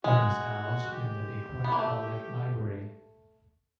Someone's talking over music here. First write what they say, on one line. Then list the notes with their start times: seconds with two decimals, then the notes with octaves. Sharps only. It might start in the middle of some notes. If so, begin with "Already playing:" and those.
It is housed in the Detroit Public Library.
0.04 G#3 C#4 F#4
0.92 G4
1.64 B3
1.72 A#3
1.79 A3